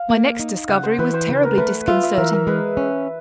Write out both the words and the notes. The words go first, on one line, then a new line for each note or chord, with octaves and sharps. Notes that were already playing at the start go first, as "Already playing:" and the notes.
My next discovery was terribly disconcerting.
Already playing: F5
A#3
D#4
C#3 F#5
C5
E3 B4
C5
C#3 B4
A#4
A3 B4
F4 E5
E5
E3 A#4
A#4
G#3 B4
C#4